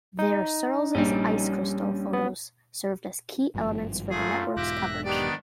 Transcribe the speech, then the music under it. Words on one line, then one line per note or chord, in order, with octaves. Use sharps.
There Searls' ice crystal photos served as key elements for the network's coverage.
D#4
A#1 G3 C#4
B3
G#1 G2 F3
F#2 A3 F4 G#4
E1 G#2 G4 E5 F#6 A#6
D#3 B3 D4 G4 D5